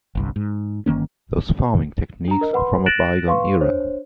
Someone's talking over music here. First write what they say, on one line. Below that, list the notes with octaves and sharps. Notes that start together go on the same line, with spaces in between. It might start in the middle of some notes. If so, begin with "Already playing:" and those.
Those farming techniques are from a bygone era.
G1 C2 G2
G#2
G1 D#3 A#3 C#4
D4 A#5
A#4 D#5
B4 F#5 B5 C6
F#6 A6 A#6 D7 E7 F#7
B4 F5 C6 C#6
D4 C5 C#5